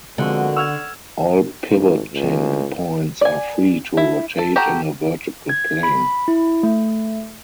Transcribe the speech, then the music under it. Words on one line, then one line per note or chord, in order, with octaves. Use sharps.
All pivoting points are free to rotate in a vertical plane.
B2 D3 F3 G#3 A#3 C4 F#4
F#5 C#6 E6 F6 G#6
G#1
C#2
D5 G#5
E4
A4
F#4 G4 A4 A#5
G#6
B5
E4
A3